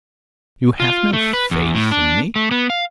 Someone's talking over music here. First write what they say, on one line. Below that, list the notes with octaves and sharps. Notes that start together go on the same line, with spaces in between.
"You have no faith in me?"
F4
A3
B4
E2
A2
D4
A3
B3
F5